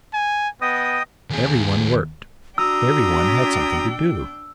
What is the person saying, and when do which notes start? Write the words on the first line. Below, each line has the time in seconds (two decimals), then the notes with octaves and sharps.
Everyone worked, everyone had something to do.
0.13 G#5
0.62 B3 D#5 G5 D#6
1.30 D#2 G#4
2.58 D4 F#4 G5 A#5 D#6 E6